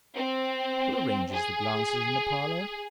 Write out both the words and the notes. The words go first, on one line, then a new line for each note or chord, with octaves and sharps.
Who arranges the glasses in the parlor?
C4
G#4